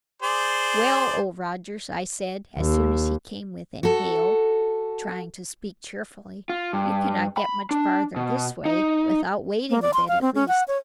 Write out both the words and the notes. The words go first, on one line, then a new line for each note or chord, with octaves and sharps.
"Well, Old Rogers," I said, as soon as he came within hail, trying to speak cheerfully, "you cannot get much farther this way--without wading a bit, at least."
G#4 C5 D5
D#2
F#4 A4
F4
G2
B5
D4
B2
D#4
A#3
D5
C6
F5
C4
C#4
F#5
C#5